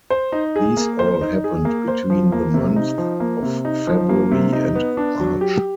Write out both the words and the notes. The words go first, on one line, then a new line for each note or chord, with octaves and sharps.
These all happened between the months of February and March.
C5
D#4
G#4
A#3
C5
D#4
G#4
A#3
C5
F3
A#3
C3
D#4
F3
A#3
C3
D#4
F3
A#3
C3
D#4
B3
D4
F#3
G4